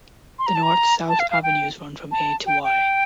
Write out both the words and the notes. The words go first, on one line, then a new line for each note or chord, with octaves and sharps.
The north-south avenues run from A to Y.
C6
A#5
A5
A#5
A5
F5
F5
G5
A5
G5
G5